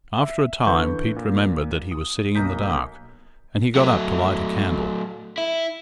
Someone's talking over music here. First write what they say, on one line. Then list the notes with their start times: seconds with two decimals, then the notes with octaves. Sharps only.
After a time, Pete remembered that he was sitting in the dark, and he got up to light a candle.
0.18 E5
0.66 D3 E3 B4 C#6 G6
1.16 A#2
1.91 D#6
2.35 B1 A#3 A#5 D#6 G6 B6
3.76 F#3 A3
5.38 E4